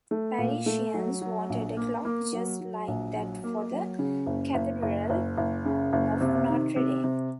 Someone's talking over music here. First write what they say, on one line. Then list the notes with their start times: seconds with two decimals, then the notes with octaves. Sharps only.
Parisians wanted a clock just like that for the Cathedral of Notre Dame.
0.11 A3
0.38 A#2
0.66 A3
0.94 F#3
1.21 F#3
1.50 A#1
1.77 A#3
2.05 A#3
2.33 F#3
2.60 F#3
2.88 A#1
3.16 F#3
3.44 A#3
3.71 F#3
3.99 C#3
4.26 F#1
4.54 F#1
4.82 F#1
5.10 F#1
5.37 F#1
5.65 C#3
5.93 F#1
6.21 C3
6.49 D#3
6.76 C3
7.04 C3